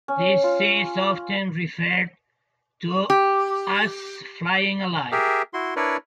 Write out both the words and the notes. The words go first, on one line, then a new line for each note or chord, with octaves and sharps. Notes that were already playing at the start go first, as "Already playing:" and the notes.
This is often referred to as "flaying alive".
C#4
F4
G4
G4 G#4 A#4 E5
E4 F#4 C6
D4 E4 A#4 B4 C#5 D5